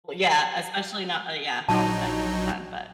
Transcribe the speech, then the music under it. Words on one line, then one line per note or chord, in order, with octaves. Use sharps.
Well, yeah, especially not uh, yeah, homicide isn't fun, but
A#1 F#3 D#4 A5